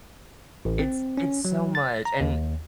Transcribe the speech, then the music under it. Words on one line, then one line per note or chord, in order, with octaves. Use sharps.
It's it's so much, and,
A1
C4
C#4
F#3
A6
A#5
D#2